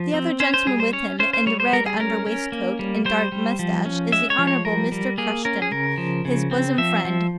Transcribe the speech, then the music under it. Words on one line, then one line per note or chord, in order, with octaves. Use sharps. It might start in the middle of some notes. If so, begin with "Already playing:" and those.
The other gentleman with him, in the red under-waistcoat and dark moustache, is the Honourable Mr. Crushton, his bosom friend.
Already playing: F3
C4
C#4 C5
C5
G3 G#4
C5
C#4 C#5
C#4 C5
C5
G3 C#5
C5
G3 A#4
G#4
C#4 A#4
C#4
A#3
G3
G3 C5
G3
F3
C#4
G#3 E5
C#5
F3
C#5
G3 A#4
G3
A#3 G#4
C#4 A#4
G#4
C#3 A#4
F3
C#3
C4
F3 E5
F3